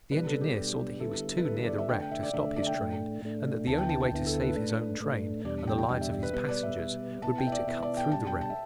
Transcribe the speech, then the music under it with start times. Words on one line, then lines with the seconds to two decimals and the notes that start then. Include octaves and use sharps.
The engineer saw that he was too near the wreck to stop his train and that the only way to save his own train and the lives of his passengers would be to cut through the wreck.
0.11 B2 G3 D4 B4
0.26 A4
0.41 G4
0.56 B2 G3 D4
1.00 D3 G3 B3 E4 A4
1.37 B4
1.45 D3 G3 B3 E4 A4
1.56 A4
1.67 D5
1.78 E5
1.89 D3 A3 D4 G5
2.00 G5
2.11 E5
2.23 D5
2.33 D3 A3 D4 E5
2.56 D5
2.62 E5
2.67 G5
2.78 A2 A3 D4
3.22 A2 A3 D4
3.67 D2 D3 B3 E4 A5
3.78 G5
3.89 A5
4.01 G5
4.12 D2 D3 B3 E4
4.26 A4
4.41 B4
4.56 A2 A3 D4
5.00 A2 A3 D4
5.44 E2 B2 G3 D4 D5
5.67 G5
5.78 G5
5.89 E2 B2 G3 D4 G5
6.01 E5
6.12 E5
6.23 B4
6.33 B2 G3 B3 B4
6.49 D5
6.63 E5
6.78 B2 G3 B3
7.22 B2 B3 E4 A5
7.38 G5
7.47 E5
7.52 D5
7.67 B2 B3 E4 E5
7.83 D5
7.97 G5
8.12 B2 G3 D4 A5
8.27 G5
8.41 A5
8.50 E5